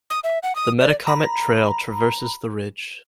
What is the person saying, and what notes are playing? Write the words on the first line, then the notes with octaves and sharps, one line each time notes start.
The Metacomet Trail traverses the ridge.
D#6
E5
F#5
D#6
D5
A#5 B5